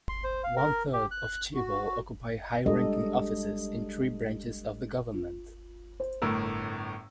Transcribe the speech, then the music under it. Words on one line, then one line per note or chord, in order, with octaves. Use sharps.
One-third of chaebol occupy high-ranking offices in three branches of the government.
C6
C5
F5
A#4
G4
F#6
F#4
G3 G#3 D4 G4 A4 D#5
F4
C5
G1 A2 A#4 E6